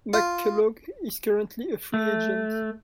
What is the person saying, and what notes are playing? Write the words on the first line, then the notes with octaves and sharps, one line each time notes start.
McCullough is currently a free agent.
F4
A3